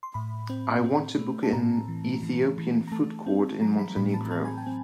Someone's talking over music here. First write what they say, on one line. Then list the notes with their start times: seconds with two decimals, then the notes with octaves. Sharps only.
I want to book a ethiopian food court in Montenegro.
0.03 C6
0.14 A2 B5
0.50 C4
0.84 C4
1.19 A3
1.43 A5
1.53 A2 A#5
1.88 E3
2.23 E3
2.58 E3
2.88 A#5
2.92 A3 A5
3.26 C4
3.61 F#3 A#5
3.79 B5
3.96 A2 B5
4.14 A5
4.31 C4 A5
4.45 G#5
4.57 G5
4.66 C4